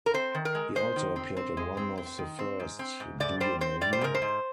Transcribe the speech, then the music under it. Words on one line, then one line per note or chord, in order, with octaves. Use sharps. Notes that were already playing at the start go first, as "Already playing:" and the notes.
He also appeared in one of the first Do you know me?
A#4
C4 C5
D#3
A#4
G#3
G#3 C5
D#3
C4
C4
G#3
C4
C4
D#3
C4
G#2
C4
G#2
G#2 D5
G3 C5
C4 C5
G3 D5
C5
G#2 A#4
C5
G#2